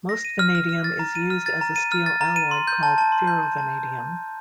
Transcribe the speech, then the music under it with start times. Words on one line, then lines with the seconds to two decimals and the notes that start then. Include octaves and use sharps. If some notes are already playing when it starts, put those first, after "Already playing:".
Most vanadium is used as a steel alloy called ferrovanadium.
0.09 A#6
0.25 D#7
0.39 F6
0.55 F6
0.69 F6
0.84 A6
0.99 A#5
1.15 D#7
1.30 F6
1.46 A6
1.61 A#5
1.76 D#7
1.92 F6
2.06 A6
2.21 A#5
2.36 D#7
2.51 C6
2.67 G6
2.83 A5
2.98 A5
3.12 C6
3.27 G6
3.43 A5
3.58 A5